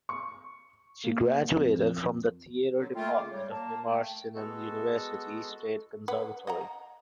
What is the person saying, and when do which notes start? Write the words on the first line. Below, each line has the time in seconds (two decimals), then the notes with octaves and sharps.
She graduated from the Theater Department of Mimar Sinan University State Conservatory.
0.09 C#6
1.04 A#3
1.58 F2
2.75 D3 F#3
2.95 A3 A#3 F4 G5
3.14 C#3 D6
3.31 G3 C#5
3.51 A#3 A5
3.86 A3 G5
4.35 G#3 B3 F#4 A4
6.08 B4 F#5
6.47 D#5 F#5 A#5